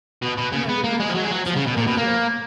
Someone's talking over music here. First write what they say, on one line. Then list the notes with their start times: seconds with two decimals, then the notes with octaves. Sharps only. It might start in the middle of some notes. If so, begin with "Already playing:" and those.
You know, your little fellows have good ears.
0.22 B2
0.38 B2
0.52 C#3
0.69 B3
0.84 A#3
1.00 G#3
1.09 F3
1.15 F#3
1.24 G#3
1.31 F#3
1.46 F3
1.56 C#3
1.67 B2
1.77 A#2
1.87 B2
1.97 A#3